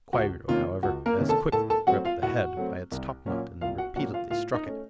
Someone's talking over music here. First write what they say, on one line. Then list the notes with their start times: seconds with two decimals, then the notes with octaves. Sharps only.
Kwairyo, however, as quickly gripped the head by its topknot, and repeatedly struck it.
0.13 C#2 F#4
0.48 C3 D#3 A#3 C#4 F4
0.83 C#2 F#4
1.06 A#3 A#4
1.17 C3 D#3 A#3 C#4
1.29 A4 A5
1.52 A2 A4 A5
1.70 A4 A5
1.87 F#3 A3 C4 F#4 F#5
2.05 F4 F5
2.22 A2 F#4 F#5
2.57 F#3 A3 C4
2.91 C2
3.26 A#2 F#3 A#3 C#4
3.61 C2 F4 F5
3.78 F#4 F#5
3.96 A#2 F#3 A#3 C#4 F#4 F#5
4.14 F4 F5
4.30 A2 F4 F5
4.54 D#4 D#5
4.66 A3 C#4